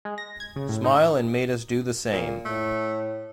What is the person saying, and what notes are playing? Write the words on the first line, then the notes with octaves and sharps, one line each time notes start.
Smile and made us do the same.
G#3
A#6
G#6
C#3
A2
D#4
A#2
A2 A3